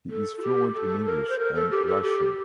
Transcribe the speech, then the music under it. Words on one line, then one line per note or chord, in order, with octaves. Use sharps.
He is fluent in English and Russian.
A4
F4
G4
A4
A#4
C5
A#4
A4
G4
A4
G4